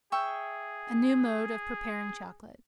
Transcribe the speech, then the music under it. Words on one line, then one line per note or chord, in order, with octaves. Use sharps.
A New Mode of Preparing Chocolate.
G#4 E5 G5 C#6